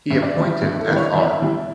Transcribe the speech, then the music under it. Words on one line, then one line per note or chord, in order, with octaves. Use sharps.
He appointed Fr.
G2 E5
D5
E3 G3 E4 E5
G2
A4
E3 G3 A#4 C#5
D5
E2 E4 E5
E3 G3